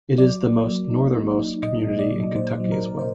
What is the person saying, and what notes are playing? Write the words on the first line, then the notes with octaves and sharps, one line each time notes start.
It is the most northernmost community in Kentucky as well.
F#3 D5
A#3
F#3
D#4
D#4
D#4
A#2 D#5
A#2
D5
F#3
A#2 C5
F#3
A#4
A#2
C5